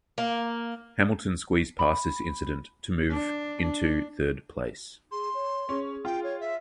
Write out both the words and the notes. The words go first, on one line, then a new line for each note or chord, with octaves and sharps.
Hamilton squeezed past this incident to move into third place.
A#3
B5
D4
D4
G#4 C6
C#5
C#4 G#4
F4 G5
C#5
E5